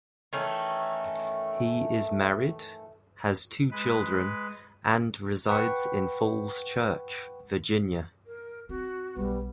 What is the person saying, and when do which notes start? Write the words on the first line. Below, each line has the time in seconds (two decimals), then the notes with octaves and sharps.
He is married, has two children, and resides in Falls Church, Virginia.
0.33 D#3 E3 A3 C#4
3.71 G#3 B4
5.49 B4 F#5 G5 B5 C#6
8.26 A#4
8.69 C4 F#4
9.17 B1 G3 B3